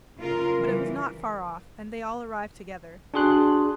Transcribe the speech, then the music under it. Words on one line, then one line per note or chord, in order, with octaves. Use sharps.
But it was not far off and they all arrived together.
C#3 F4 A#4
E3 G3
D4 F#4 G#4 C6 F#6